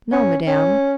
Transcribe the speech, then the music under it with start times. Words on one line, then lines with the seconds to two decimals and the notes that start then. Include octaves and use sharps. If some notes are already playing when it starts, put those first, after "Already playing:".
"No, Madame."
0.13 C#4
0.47 C#4